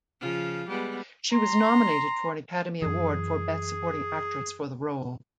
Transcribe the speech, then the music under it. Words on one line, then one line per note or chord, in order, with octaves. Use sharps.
She was nominated for an Academy Award for Best Supporting Actress for the role.
C#3 F3 F4
G3 G#3 B3
A#5 C6
F#2 E3 G#4